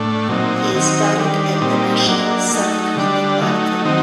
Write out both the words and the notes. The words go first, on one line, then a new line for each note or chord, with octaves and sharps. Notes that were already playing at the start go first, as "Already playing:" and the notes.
He is buried at the National Cemetery in Martin.
Already playing: A2 A3 D4
A#2 F#3 C4 D#4
D#3 F#3 C4 D#4
D#3 G3 D4
A#2 G3 C4 D#4
F#3 A#3 D4
F#3 A3 D#4
D3 G3 D4
F#3 A3 D#4
D#3 F#3 C4 D#4